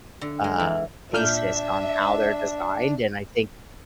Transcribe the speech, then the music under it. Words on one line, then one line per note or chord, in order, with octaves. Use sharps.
uh, basis on how they're designed and I think
D3
G#3
E3
A#2 D4 E5 F6 G6